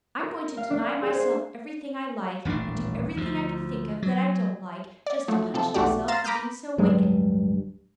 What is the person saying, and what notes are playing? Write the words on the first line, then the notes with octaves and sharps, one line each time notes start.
I'm going to deny myself everything I like, and do everything I can think of that I don't like, just to punish myself for being so wicked.
A#4
F5
D4
G#4
C5
D#1 A1 C4 D4
D2 F3
F#3
D5
F3 F#3 A3
C3 F3 A4
B1 E2 A3 F#4 G4 D5
F5 A#5 C6 A6 E7
A#5 B5 D6 D#6 F6 G6
D1 G2 F#3 G#3